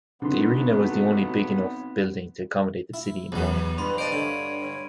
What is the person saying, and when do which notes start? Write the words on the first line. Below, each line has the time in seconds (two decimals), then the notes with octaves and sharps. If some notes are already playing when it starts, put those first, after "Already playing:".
The arena was the only big enough building to accommodate the city in mourning.
0.22 B2 D3 F#3 A3 B3 C4 D#4 C6
2.94 E4
3.32 E2 A#2 F#3 B4
3.78 G2 B4 B5 C6
3.98 C5 D#5 A5 D7 D#7
4.12 D3 C#5
4.61 C#5